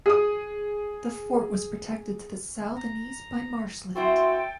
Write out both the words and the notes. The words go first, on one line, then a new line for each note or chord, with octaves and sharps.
The fort was protected to the south and east by marshland.
G#4 D#6
A#5
C4 E4 F#4 A4 C5 G5